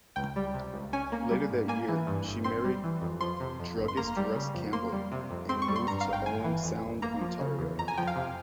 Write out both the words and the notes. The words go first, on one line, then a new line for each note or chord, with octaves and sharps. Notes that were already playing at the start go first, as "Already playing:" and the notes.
Later that year, she married druggist Russ Campbell and moved to Owen Sound, Ontario.
C#2 G5
G3
C3
C#2
C#4 G#5
A#3
G3
G#2
A#3 G#5
E3
G2
G1
C4 C6
G3
E3
F2
F3 C6
C3
F2
G1
C6
A#3 A#5
G3
C#3
F2
A#3 C6
G3
C3
F2
C4 C6
C#6
G3
C6
G2 A#5
F5
G#1
G5
G1 G#5
E3
F2
G1
A#3 A#5
F3
C#3
E2
F2 A#5
G#5
F3 G5
F5
C3